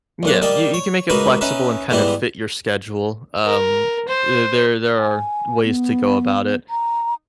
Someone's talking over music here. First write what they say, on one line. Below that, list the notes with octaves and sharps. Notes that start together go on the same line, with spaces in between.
Yeah, you you can make it flexible and kind of fit your schedule. Um, the there there are ways to go about it.
B1 A#2 F#5
G3 A#3 D#5 G5 A5
C#5
C#2 A#3 D#4 F#4 B4 C#6
C#4 D#4 B4 E5
G#2 E3 G3 B3 E4
A#4
C5
G#5
B3
A#5